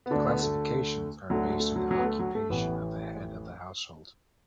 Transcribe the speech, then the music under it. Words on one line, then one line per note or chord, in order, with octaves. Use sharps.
The classifications are based on the occupation of the head of the household.
B3
D2 D3 D4
B3
A3
D2 D3 F#3
A3
F#3
F#3
B3
A3
F#3
A3
A1 A2 E3 B3